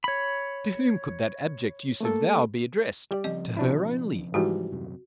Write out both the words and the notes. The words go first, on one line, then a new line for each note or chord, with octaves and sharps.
To whom could that abject use of "thou" be addressed? To her only.
C#5 B5
A3 A#3 A4
G3 G4 D5
C#3 F3 C4 D#5
B2 D4 E4
G#2 E3 G3 F#4
D#1 F#2 C3